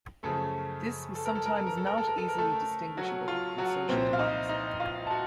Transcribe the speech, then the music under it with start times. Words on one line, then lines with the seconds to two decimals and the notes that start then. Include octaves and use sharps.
This was sometimes not easily distinguishable from social democracy.
0.23 F#2 C#3 F3 A3 A4
1.15 A4
1.26 A#4
1.35 A4
1.46 A#4
1.56 A4
1.67 A#4
1.77 A4
1.86 A#4
1.97 A4
2.08 A#4
2.18 A4
2.28 A#4
2.38 A3 A4
2.97 F#3 F#4
3.28 F4
3.58 F#3 F#4
3.89 C2 A#2 F3 C4 C5
4.13 F5
4.19 D#4 D#5
4.49 D#4 D#5
4.80 F4 F5
5.07 A5
5.11 F#4 F#5